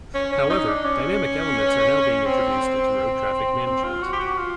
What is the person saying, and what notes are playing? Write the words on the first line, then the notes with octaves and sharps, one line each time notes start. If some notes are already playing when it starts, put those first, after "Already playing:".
However, dynamic elements are now being introduced into road traffic management.
C#4
C#4
D#4
D4
C#4
C4
C4
F4
F#4
G4
F#4
F4